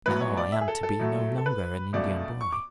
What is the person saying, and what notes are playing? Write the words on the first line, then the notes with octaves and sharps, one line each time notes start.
Now I am to be no longer an Indian boy.
A2 F#3 B3 B4
C#5
D5
E5
G#4
A4
A4
A2 F#3 A3
A4
B4
C#2 B2 A3 D5
C#6
D6